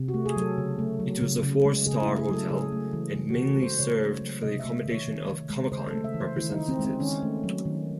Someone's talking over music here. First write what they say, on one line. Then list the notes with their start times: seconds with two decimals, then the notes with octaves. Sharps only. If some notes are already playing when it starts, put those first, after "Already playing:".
It was a four-star hotel and mainly served for the accommodation of Comecon representatives.
Already playing: C3
0.08 F#4
0.14 A3
0.26 G#4
0.36 F#3
0.42 A4
0.58 C#3
0.79 A3
1.00 F#3
1.22 C#3
1.43 C#3
1.65 G#3
1.86 C#3 G#4
2.02 E4
2.08 A3
2.18 G#4
2.29 F#3 A4
2.50 C#3 G#4
2.72 A3
2.93 E3
3.15 C#3
3.30 F#4
3.37 C#3
3.47 A4
3.57 G#3
3.62 C5
3.79 C#3 C#5
4.00 A3
4.21 F#3
4.43 C3 D#5
4.60 E5
4.65 A3
4.86 D#3
4.91 C#5
5.08 D#3
5.29 D#3
5.50 G#3
5.72 C#3 C5
5.87 A4
5.94 A3
6.04 E5
6.14 E3
6.20 C5
6.36 D#3 E4
6.52 D#4
6.58 D#3
6.68 C4
6.79 G#3
6.85 C4
7.00 D#3 C#4
7.22 A3
7.44 F#3
7.65 D#3